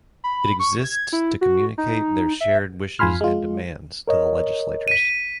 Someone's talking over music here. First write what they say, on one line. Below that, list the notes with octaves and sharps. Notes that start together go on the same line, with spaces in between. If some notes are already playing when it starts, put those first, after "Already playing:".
It exists to communicate their shared wishes and demands to the legislators.
B5
C#6
G#6
E4
F#4
D#4
E5
F2 F4 G#5 B5 C6 F6
G#3 F4
A#4 C#5 D#5
B6 D#7